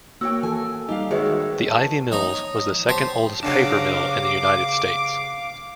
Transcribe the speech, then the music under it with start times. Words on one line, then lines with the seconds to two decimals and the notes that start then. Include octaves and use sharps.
The Ivy Mills was the second oldest paper mill in the United States.
0.21 A#3 F#4 C#5 G5 E6
0.43 E3 A4 G#5
0.88 G3 D#4 G4 F5
1.11 G#2 D#3 G#3 F#4 G#4 B4 C#5 E5
1.70 A5
2.12 D#4 C#5 D#5 A#5
2.88 G4 C5 C#5 A5
3.43 G2 C#3 F#3 D4 F5 A5 D6